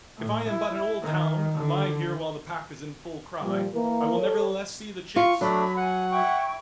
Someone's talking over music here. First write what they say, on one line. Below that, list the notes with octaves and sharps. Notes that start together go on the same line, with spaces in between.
If I am but an old hound, lying here while the pack is in full cry, I will nevertheless see the chase!
A2
E4
D#3
D3
A#2 F3 G3
E3 A#3 A#4
A4 C#5
F4 C#6
F#3 A3 D4 B5
F#5 G#5
E4 G5 C#6